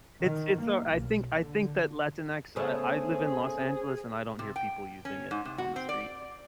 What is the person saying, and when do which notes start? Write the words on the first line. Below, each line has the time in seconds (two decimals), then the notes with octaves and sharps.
It's it's, uh, I think I think that Latinx I I live in Los Angeles, and I don't hear people using it on the street.
0.21 D#3
0.57 A#3
0.90 B1
1.36 D3
2.56 C#3 A3 B3 G#4 C5
4.39 C3
4.56 G5
5.05 C#4
5.31 G#2
5.45 C3
5.58 F#4
5.76 C4
5.89 D5